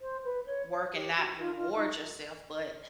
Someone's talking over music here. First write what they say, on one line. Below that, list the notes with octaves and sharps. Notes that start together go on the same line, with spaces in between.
work and not reward yourself, but
C5
B4
C#5
C#5
G4
F#4
F4
F4
D#4